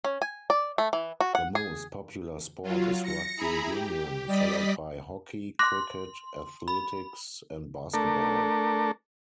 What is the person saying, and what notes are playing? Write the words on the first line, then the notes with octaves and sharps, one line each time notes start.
The most popular sport is rugby union, followed by hockey, cricket, athletics and basketball.
C#4
G#5
D5
A3
E3
F#4
F#5
G#4
F#3 F4
A#6 C#7
E4 G#4 A#5 B5
G4
G3 D5 D#5 B6
C6 D6 F#6 A#6
B5
A3 D4 A4 A#4